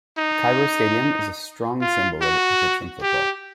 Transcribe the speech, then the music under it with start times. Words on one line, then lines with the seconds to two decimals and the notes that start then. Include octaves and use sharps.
Cairo Stadium is a strong symbol of Egyptian football.
0.18 D#4
1.80 F4
2.21 F#4
3.02 G4